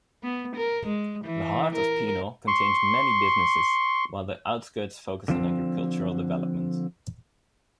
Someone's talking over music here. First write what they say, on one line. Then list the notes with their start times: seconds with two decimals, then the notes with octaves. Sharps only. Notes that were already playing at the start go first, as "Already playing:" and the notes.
The heart of Penal contains many businesses while the outskirts focus on agricultural development.
0.23 B3
0.56 A#4
0.87 G#3
1.25 E3
1.75 A#4
2.47 C6 C#6
5.28 D3 F3 C4